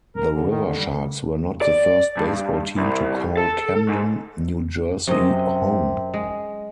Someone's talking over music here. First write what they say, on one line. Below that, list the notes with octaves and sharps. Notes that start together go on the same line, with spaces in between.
The Riversharks were not the first baseball team to call Camden, New Jersey home.
A#4
D3
D#3
D3
G3
D5
G2
C2
A4
G#2
F#2 C3 D#5
G#3